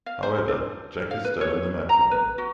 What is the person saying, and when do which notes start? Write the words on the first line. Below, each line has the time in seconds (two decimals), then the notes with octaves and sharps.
However, Jack has stolen the map from him.
0.06 F5
0.23 C5
0.48 D4
1.11 F5
1.25 B4
1.41 C#5
1.89 A#5
2.11 B4
2.38 F#4